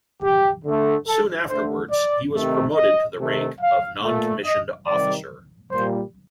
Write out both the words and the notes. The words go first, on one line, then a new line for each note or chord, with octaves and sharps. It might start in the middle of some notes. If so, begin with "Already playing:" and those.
Soon afterwards he was promoted to the rank of non-commissioned officer.
G4
D3 A3
A4
D3 A3 C5
D5
C3 D#3 A3
D#5
C3 D#3 A3
F5
A#2 A3
D#5
C3 D#3 G3 D5
A#2 G3 C5